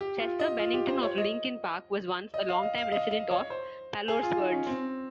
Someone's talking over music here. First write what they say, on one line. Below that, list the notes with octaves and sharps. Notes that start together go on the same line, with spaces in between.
Chester Bennington of Linkin Park was once a longtime resident of Palos Verdes.
G4
F4
D#5
F4
G4
C5
C#5
D#5
D#5
F5
D#5
F5
D#5
D#5
C#5
C5
G#4
F4
D#4
C#4
C4